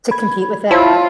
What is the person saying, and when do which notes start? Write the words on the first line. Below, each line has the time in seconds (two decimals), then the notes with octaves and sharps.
To compete with it.
0.11 B5 G#6
0.71 E4 F4 C5 C#5 A5